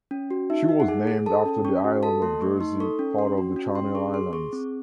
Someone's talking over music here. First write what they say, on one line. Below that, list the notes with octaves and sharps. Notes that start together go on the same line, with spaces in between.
She was named after the island of Jersey, part of the Channel Islands.
C#4
F#4
D#4 E5
D#4
F#5
G#4 G#5
G#4
A4 A5
C#4
C#4 C#6
F#4
A4 A5
A3 C6
A3 C#6
D#4 C6
A4 C#6
C#4
C#4 C6
F#4
C#4
C#4 C6
G#4 C#6
G#4 C6
G#4 C#6
C4